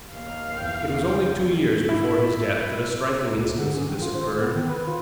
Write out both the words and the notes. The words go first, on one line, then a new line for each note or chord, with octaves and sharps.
It was only two years before his death that a striking instance of this occurred.
D#2 F5
E2 G5
E4
C#2
D3
C#4
D#3
F4
C5
A#2
B3
D#3
B4
F4